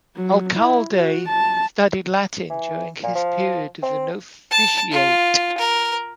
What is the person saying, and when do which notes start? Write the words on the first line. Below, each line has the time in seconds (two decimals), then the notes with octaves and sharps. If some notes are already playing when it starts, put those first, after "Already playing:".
Alcalde studied Latin during his period of the novitiate.
0.16 F#3
0.56 E4
0.93 F#4
1.28 A5
2.50 E3
3.03 A#2
3.15 F3
3.82 C4
4.51 A5
4.92 F4
5.58 A#4